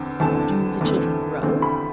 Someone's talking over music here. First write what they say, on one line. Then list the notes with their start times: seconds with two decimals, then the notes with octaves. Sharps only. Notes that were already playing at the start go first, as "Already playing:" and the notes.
Do the children grow?
Already playing: E2 D3 C4
0.20 E2 D3 A3 C4 A5
0.81 E2 D3 A3 C4
1.43 E2 D3 A3 C4
1.62 B5